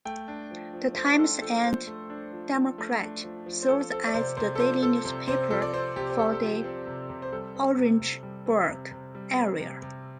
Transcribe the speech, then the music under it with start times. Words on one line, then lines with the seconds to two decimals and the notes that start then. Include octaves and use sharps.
"The Times and Democrat" serves as the daily newspaper for the Orangeburg area.
0.05 A3 G5
0.28 D4
0.51 F3
0.73 F3
0.96 A3 C5
1.19 D4 A4
1.42 F3 A4
1.64 F3 C5
1.87 A3
2.10 D4
2.33 F3
2.55 F3
2.78 A3
3.01 D4
3.24 F3
3.46 F3
3.62 C5
3.68 F3 A4
3.91 C4 A4
4.07 D5
4.14 C3 C5
4.37 C3 C5
4.55 A4
4.60 F3 C5
4.82 C4 A4
5.05 C3 C5
5.28 C3 C5
5.50 F3 A4
5.62 D5
5.73 C4 C5
5.96 C3 G4
6.10 C5
6.19 C3 A4
6.33 A4
6.41 F3 G4
6.64 C4
6.87 C3
7.09 C3
7.22 C5
7.32 G3 A4
7.55 C4
7.78 C3
8.00 C3
8.23 G3
8.46 C4
8.69 C3
8.91 C3
9.15 G3
9.37 C4
9.60 C3
9.82 C3